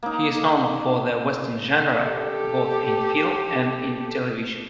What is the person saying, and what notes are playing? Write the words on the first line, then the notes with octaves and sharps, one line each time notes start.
He is known for the Western genre, both in film and in television.
A#3 D#4
G4 A4